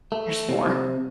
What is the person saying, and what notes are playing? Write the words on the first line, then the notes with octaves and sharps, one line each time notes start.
There's more.
A3
C3